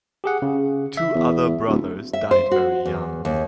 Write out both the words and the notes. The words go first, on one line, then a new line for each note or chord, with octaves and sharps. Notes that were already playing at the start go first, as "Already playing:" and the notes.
Two other brothers died very young.
G4 G#4 F#5
C#3
E5
E2
D1
E5
C5
F#4
E2
D#2